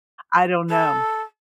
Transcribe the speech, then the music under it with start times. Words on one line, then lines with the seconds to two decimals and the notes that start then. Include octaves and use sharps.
I don't know.
0.69 A4